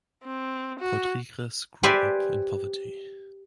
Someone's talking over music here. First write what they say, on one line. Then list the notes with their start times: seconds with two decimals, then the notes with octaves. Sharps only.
Rodrigues grew up in poverty.
0.24 C4
0.79 F#4
1.83 G4 B4 C5 D5 E5 G#5